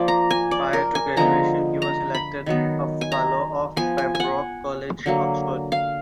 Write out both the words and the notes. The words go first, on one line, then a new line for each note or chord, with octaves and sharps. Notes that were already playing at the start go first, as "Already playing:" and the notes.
Prior to graduation he was elected a fellow of Pembroke College, Oxford.
Already playing: F3 A#3 D5
A#5
G#5
D5
A#4
G#5
D3 F3 G#3 B3 A#5
A#5
B5
D#3 F#3 B3
G#5
A#5
F3 B3 G#5
G#5
G#5
F#5
D3 F#3 A#3
F5